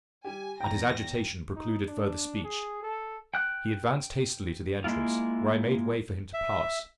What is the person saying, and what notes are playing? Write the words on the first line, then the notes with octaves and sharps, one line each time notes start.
And his agitation precluded further speech; he advanced hastily to the entrance, where I made way for him to pass.
G3 G4 G#5
E2 G5 A#5 A#6
D#4
D4
G#4
A4
G5 F#6
G#3 A#3 E4 F4
E5